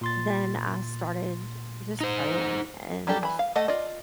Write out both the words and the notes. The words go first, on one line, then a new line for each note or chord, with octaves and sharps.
then I started just praying and
A#2 C6 A6
D#4 C5
F#3 G3 D4 G4 A4
E3 B5
F5
A3 A4 D#5 F#5
F4 D5 D#5